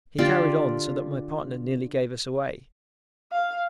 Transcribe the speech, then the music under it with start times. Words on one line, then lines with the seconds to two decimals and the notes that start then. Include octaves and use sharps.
He carried on so that my partner nearly gave us away.
0.18 D3 F4 G4 D5
3.32 F5